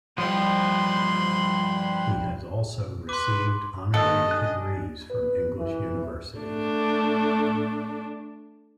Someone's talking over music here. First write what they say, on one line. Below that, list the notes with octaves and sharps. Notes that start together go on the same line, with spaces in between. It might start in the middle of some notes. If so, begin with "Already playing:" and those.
He has also received honorary degrees from English universities.
G2 F3 G3 C5 B5 C6
B4 C6 D6
D#3 A#3 A4 D#5 F#5
D4 G#5 F#6
B4
E3
A3 D4